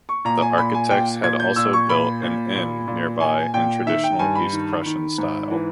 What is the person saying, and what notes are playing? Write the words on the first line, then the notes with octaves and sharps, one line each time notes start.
The architects had also built an inn nearby in traditional East Prussian style.
C#6
A#2 A#5
G#5
A#2 B5
G#5
A#2 G5
A#2 G#6
G6
A#2 E6
C#6
A#2 B5
A#2
A#2
A#2
A#2 G#5
A#2 G5
D#3 E5
G5
G2 G#5
B5
D#3
D#3
G#2
E3